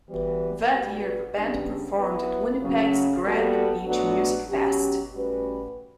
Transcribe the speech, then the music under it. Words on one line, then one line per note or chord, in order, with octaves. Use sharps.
That year the band performed at Winnipeg's Grand Beach Music Fest.
E3 G3 B3 F#4 B4
B2 G3 D4 F#4 B4
C#3 G3 B3 D4
F#3 B3 E4 B4
C#3 F#3 C#4
G3 B3 F#4 A4
A2 F#3 B3 D4 F#4
B2 F#3 C#4 G4
A2 G3 C#4 F#4 B4